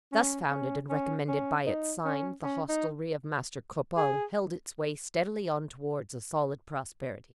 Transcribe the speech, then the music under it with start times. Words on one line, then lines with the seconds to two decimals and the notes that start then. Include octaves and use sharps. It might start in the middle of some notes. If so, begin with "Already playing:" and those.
Thus founded and recommended by its sign, the hostelry of Master Cropole held its way steadily on towards a solid prosperity.
0.12 C#4
0.51 C#4
0.90 C#4
1.28 C#4
1.66 D#4
2.05 C#4
2.44 C#4
2.69 D#4
3.98 G#4